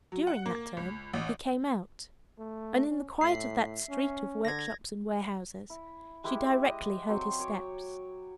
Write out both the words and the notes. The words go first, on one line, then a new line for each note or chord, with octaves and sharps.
During that turn he came out, and in the quiet of that street of workshops and warehouses, she directly heard his steps.
F#3
F#5
A#3
C#2
A1
A3
C#4
A2 E5 C7
C#4
D3 G#6 A#6
E4
G#3 E4 G4 B4
D#5
F#3 C4 C6 C#6
C#5 D6